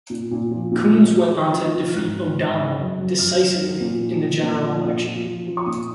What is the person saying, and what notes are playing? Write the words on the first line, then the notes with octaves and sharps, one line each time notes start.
Coons went on to defeat O'Donnell decisively in the general election.
A#2
A#2
F3
A#2
F3
F3
F3
F3
F3
F6
G#2 F#6
F3
G#2
C#3
F#2
F#2
F#2 F6
F#3
F#3
A#2
F3
F3
A#2
F3
A#2
F3
F3
F3
C#6
A#2 D#6